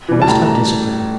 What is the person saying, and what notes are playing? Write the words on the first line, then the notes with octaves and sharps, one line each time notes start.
We must have discipline.
E3 G3
A5
A2 A#5